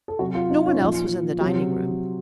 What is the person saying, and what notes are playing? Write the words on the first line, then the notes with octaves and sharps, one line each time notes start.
No one else was in the dining-room.
A4
C3 F#3 F#4
F4
D#4
C#4
A#2 F3
C3 F#3